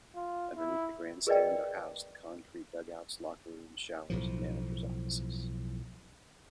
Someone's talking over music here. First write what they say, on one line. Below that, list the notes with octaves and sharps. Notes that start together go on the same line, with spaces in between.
Underneath the grandstand are housed the concrete dugouts, locker rooms, showers and manager's offices.
F4
E4
G#4 A#4 B4 D5 D#5 G5
B1 A2 F3